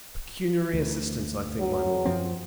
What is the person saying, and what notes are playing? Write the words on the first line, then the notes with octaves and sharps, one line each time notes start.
"Pecuniary assistance, I think, my Lord."
D2
F#3
F#2 F3 C4